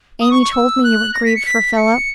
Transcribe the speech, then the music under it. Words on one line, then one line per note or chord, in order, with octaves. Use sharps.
'Amy told me you were grieved for Philip.
D#6
C#6
C#6
E6
F#6
A#6
B6
C#7
B6
C#7